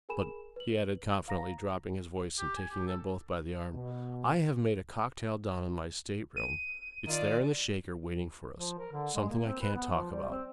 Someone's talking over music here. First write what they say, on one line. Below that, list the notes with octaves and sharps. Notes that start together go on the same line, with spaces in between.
But," he added confidentially, dropping his voice and taking them both by the arm, "I have made a cocktail down in my stateroom--it's there in the shaker waiting for us, something I can't talk about.
G#4 A#4 G#5 B5 E7
B4 F#7
F5 A#5 A#6
G4
G#5
G4
A4
B2
D#7
D#3 F4 D5
F3
A#4
D3
G#3
A#3
C4
B4
B3
F3
G3
C4